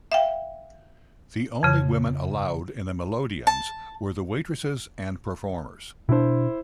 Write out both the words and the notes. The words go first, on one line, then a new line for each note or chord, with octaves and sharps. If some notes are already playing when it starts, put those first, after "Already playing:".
The only women allowed in the melodeons were the waitresses and performers.
E5 F5 G5
F2 C#3
A5
B2 D4 E4 C5